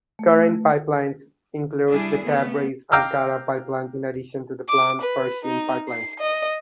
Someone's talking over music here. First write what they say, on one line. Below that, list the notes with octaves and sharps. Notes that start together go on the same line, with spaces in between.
Current pipelines include the Tabriz-Ankara pipeline in addition to the planned Persian Pipeline.
A3
G3 D4 E4 G#4
A3 B3
F5 G5 A#5 D6 E6 F6
D6
B4
D#4
C7
D#5